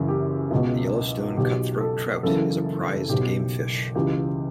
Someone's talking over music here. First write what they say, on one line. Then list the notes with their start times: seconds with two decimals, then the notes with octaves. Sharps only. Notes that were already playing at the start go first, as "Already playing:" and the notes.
The Yellowstone cutthroat trout is a prized game fish.
Already playing: F#1 F#2 C#3 E3
0.09 G4
0.51 C#2 B2
1.37 B1 B2 G4
1.81 A4
2.23 F#1 F#2 C#3 E3 A4
3.09 B1 B2 G4
3.95 C#2 C#3 E3 G4